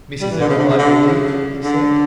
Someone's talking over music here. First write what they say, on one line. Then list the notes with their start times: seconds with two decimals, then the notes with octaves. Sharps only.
"Mrs. Errol, I believe?" he said.
0.21 G3
0.31 E3
0.40 D3
0.50 C#3
0.58 D3
0.69 C#3
0.78 D3
1.06 C#3
1.63 D3